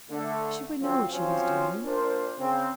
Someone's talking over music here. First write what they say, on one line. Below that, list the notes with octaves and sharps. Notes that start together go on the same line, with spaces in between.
She would know what she was doing.
D3 A3
D3 F3 F#3 C4 F4
F3 F#3 C4 C#4 F4 C5
A#2 D4 A#4 C5
C#3 C4